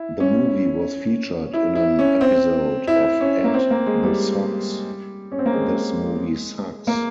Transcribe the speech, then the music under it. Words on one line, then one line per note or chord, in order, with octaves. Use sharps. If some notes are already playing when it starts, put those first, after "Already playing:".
The movie was featured in an episode of Ed the Sock's This Movie Sucks!
Already playing: E4
C#4
E4
E4
C#4
C4
E4
C#4
A#3
C4
A#3
G#3
G3
C#4
C4
A#3
G#3
A#3